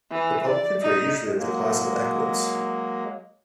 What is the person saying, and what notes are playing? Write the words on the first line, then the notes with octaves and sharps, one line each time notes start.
The publicans were usually of the class of equites.
E3
D5
D#4
F#3 G#3 A#3